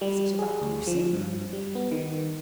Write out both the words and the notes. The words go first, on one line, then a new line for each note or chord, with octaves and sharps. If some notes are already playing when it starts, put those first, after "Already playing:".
"Is it about Lucy?"
G3
G#4
D2
F3
G2
G3
B3
D#3